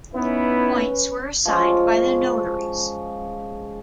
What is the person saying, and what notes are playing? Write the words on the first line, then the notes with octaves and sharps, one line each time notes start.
Points were assigned by the notaries.
B3 C#4 D#4 E4 B4
F3 G#3 C#4